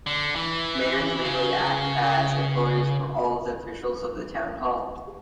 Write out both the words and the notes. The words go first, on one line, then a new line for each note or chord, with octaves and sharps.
Mayors legally act as employers for all of the officials of the town hall.
D3
E3
C#3